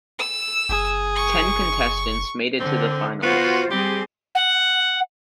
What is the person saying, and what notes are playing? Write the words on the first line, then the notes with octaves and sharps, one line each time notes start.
Ten contestants made it to the finals.
E6
F#1 G#4
C#6
D3 C4
B3 F4 F#4 C5
G3 C4 G4 G#4
F#5